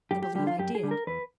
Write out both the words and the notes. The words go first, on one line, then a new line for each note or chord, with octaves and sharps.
"I believe I did."
F#2 G4
G4
D3 G3 G4
F4
F#2 G4
G#4
D3 G3
A#4
E2 B4